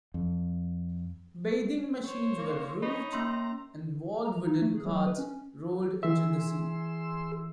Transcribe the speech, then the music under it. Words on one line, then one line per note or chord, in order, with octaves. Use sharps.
Bathing machines were roofed and walled wooden carts rolled into the sea.
F2
C5 C#5
A#3
C#4 D#4 C#5 B5
A#3 C#4 A#5 C6
A#5
D#4
A3
G#4
F#3
B4
C#4
E3 G#4 E5 C6 E6